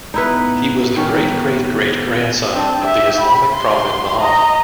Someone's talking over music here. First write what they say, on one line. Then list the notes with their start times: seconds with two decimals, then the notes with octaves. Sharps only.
He was the great-great-great grandson of the Islamic Prophet Mohammed.
0.14 A2 B3 D#4 E4 B4
0.97 D#3 C#4
2.53 C4 D4
2.82 G4 E5
3.20 B5
3.53 C6
4.21 D#5 A#5